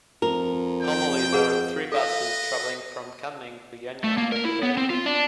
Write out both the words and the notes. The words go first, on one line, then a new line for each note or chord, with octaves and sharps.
Normally there are three buses travelling from Kunming to Yuanyang every day.
F2 A#4
G5
F4 F#4 G#4 A#4 F#5
A4 B4 D#5 F5
A3
A#3
A#4
E4
B3
C4
F4
D4